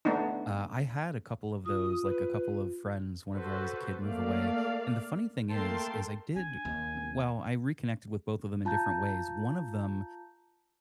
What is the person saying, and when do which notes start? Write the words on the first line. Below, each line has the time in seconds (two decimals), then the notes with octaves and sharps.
uh, I had a couple of those like, a couple of friends whenever I was a kid move away, and the funny thing is, is I did well, I reconnected with both of them in different ways, one of them
0.05 A3 B3 D4 D#4
1.66 F4 D#6
2.04 B4
3.35 F#4 A4 B4 C5
4.01 A3 A#3 D5 F5
5.51 A3 A#3 A#4 G5 A5 C6
6.36 D4 G#5
6.65 D#2
8.65 F4 A5 A#5 G6